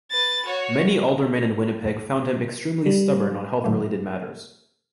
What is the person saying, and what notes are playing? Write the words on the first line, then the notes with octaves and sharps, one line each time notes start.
Many aldermen in Winnipeg found him extremely stubborn on health-related matters.
B4 A6
F#4 C#5
G3
A2 D3 F#3 A3 A#3